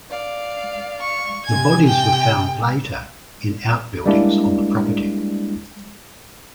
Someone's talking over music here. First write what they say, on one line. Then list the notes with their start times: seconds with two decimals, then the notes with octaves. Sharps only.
The bodies were found later in outbuildings on the property.
0.10 D5 F5
1.00 C#6
1.46 C3 G#5 G#6
1.86 G5
4.06 G3 G#3 A#3 D4 E4